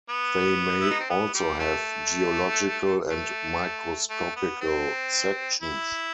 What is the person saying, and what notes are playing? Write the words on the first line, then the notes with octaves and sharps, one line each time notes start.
They may also have geological and microscopical sections.
B3
E4
D#4
C4
B3
G3
A3
A3
A3
B3
C4
E4